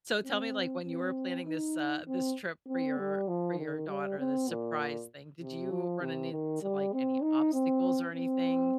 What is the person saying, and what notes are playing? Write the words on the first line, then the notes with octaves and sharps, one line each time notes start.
So, tell me, like, when you were planning this, uh, this trip for your for your daughter, the surprise thing. Did you run into like any obstacles or anything?
C4
C4
D#4
C4
C4
G3
F3
D#3
G3
C4
A#2
C3
F3
C3
D#3
G3
C4
D#4
C4
C4